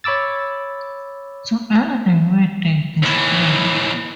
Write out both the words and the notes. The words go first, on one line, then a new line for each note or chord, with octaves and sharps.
Together they made the display.
C#5 B5 D6 E6 A6
D#2 E3